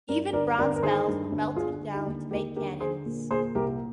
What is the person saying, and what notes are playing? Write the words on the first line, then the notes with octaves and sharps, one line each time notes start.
Even bronze bells were melted down to make cannons.
G2 A#4 D5
G1 A#4 D5
G1 A#4 D5
A#4
D#3 G#4 C5
G2
G1
D3 F4 G#4
D3
D#4 G4
D#2
D#2 G4 A#4
D3 G4 A#4
D3 G#4 C5
A#2
A#2 G#4 C5
C2 G4 A#4